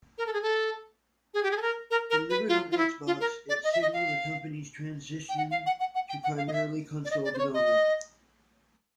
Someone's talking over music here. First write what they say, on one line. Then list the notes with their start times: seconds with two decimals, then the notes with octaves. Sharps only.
Delivered on Xbox, it signaled the company's transition to primarily console development.
0.18 A#4
0.27 A4
0.33 G#4
0.42 A4
1.34 G#4
1.43 G4
1.51 G#4
1.57 A4
1.62 A#4
1.91 A#4
2.10 A#4
2.30 B4
2.49 F4
2.71 F4
2.77 E4
3.07 F4
3.20 A#4
3.49 D5
3.64 D#5
3.73 E5
3.82 D#5
3.93 F5
5.29 G5
5.37 F#5
5.51 F5
5.66 F#5
5.80 F#5
5.95 F#5
6.09 G5
6.24 F#5
6.37 F5
6.48 D#5
6.53 E5
7.05 D5
7.11 D#5
7.25 D5
7.34 C5
7.38 C#5
7.54 D#5